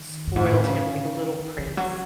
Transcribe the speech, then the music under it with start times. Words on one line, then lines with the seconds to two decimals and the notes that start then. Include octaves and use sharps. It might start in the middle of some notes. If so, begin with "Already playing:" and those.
spoiled him like a little prince.
Already playing: D#3
0.27 F#2
0.36 G#2
0.45 A2
0.54 C3
0.64 C#3
1.39 D#3
1.58 E3
1.77 F#3